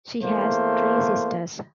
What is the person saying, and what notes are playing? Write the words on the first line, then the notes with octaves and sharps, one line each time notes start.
She has three sisters.
E2 A3 A#3 C5